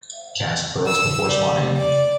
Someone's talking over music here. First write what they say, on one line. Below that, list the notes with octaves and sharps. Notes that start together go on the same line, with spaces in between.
Cast pearls before swine.
E6
G3
D5